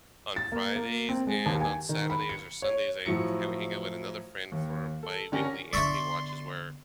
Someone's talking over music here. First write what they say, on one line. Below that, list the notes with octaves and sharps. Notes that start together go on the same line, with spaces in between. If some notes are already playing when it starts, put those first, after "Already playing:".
on Fridays, and on Saturdays, or Sundays, I ha we hang out with another friend for biweekly anime watches where
A6
A#3
A#3
C4
G#3
D#2
G#5
D#3
B5
C#7
C#5
A2 F3 F#3 E4 C#7
D#2
A4
D3 C#4 G4 A#4 A#6
D3 B3 D5 E5 C6 C#6